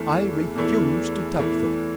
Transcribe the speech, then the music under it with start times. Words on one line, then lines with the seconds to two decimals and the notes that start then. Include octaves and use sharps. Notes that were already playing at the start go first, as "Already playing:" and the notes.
"I refuse to touch them."
Already playing: E2 E3 A3
0.56 E2 E3 A3
1.38 E2 E3 A3